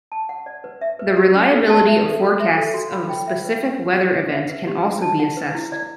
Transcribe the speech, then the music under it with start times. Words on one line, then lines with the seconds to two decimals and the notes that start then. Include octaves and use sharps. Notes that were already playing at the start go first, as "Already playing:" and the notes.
The reliability of forecasts of a specific weather event can also be assessed.
0.12 A5
0.29 F#5
0.46 D5
0.64 B4
0.81 E5
0.99 B4
1.17 G4
1.35 C#4
1.51 A4
1.70 A5
1.87 E5
2.04 A4
2.22 F#4
2.40 E5
2.58 A4
2.74 F#4
2.92 B5
3.09 G5
3.28 E5
3.45 B4
3.63 C#6
3.80 F#5
3.97 C#5
4.15 G4
4.32 E5
4.50 B4
4.67 G4
4.85 D4
5.02 A5
5.19 F#5
5.37 B4
5.55 E4
5.72 D5